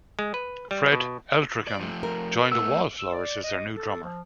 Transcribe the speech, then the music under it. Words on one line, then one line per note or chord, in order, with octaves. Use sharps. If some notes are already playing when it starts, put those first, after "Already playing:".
Fred Eltringham joined the Wallflowers as their new drummer.
G#3
B4
G3
B2
D5
F3 A3
A#4
A3 B3 E6
E6
D5
D#5
A4
F3